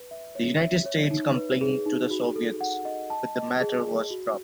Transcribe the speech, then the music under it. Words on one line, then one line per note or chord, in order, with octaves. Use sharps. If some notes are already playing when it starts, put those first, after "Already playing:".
The United States complained to the Soviets, but the matter was dropped.
Already playing: B4
E5
C#5
E5
C#5
D#4
B4
G#4
D#4
F#4
A4
F#5
D#5
A5
D#5
G#4
G#4
F#4